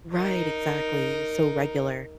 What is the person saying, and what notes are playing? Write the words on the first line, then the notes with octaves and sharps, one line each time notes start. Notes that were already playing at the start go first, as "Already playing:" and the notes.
Right, exactly, so regular.
D#4 A#4